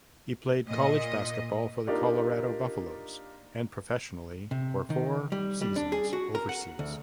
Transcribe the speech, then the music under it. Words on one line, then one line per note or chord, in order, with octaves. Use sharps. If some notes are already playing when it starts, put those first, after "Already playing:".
He played college basketball for the Colorado Buffaloes and professionally for four seasons overseas.
A#2 D#5
A#3 D4 D#4 F4 G4 D5
C3
D#3
G3
G3
D4
G#4
F#4
A#4
F#5
D2